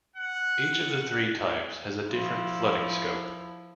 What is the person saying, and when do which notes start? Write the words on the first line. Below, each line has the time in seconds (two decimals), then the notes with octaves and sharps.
Each of the three types has a different flooding scope.
0.16 F#5
2.10 F3 E4